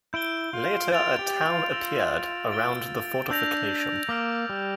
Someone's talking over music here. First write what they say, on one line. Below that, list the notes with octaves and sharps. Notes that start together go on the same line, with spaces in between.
Later a town appeared around the fortification.
E4 G6 D7 G7
F4
F4 A6 D7 F7
G4
F4
F4 E6 A#6 E7 G7
A6 D7 G7
D4 E6 G6 A#6 F7
A#3 D6 F6 A#6 D7
G3